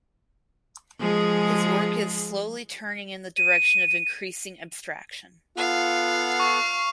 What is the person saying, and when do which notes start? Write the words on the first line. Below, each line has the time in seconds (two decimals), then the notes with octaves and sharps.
His work is slowly turning in the direction of increasing abstraction.
1.00 F3 G#3 G#4
3.37 D#7
5.57 B3 F4 A4 F5 F#5
6.40 C#6